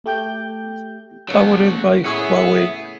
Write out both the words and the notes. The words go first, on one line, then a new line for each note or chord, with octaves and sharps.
Powered by Huawei.
A3 G4 G5 G6
C#3 F#3 A#3 B3 A4
A2 B3 C#4 G#4 C#5 E5